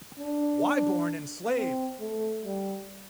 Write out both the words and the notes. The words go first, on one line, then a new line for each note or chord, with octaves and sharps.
Why Born Enslaved!
D4
C4
A3
G3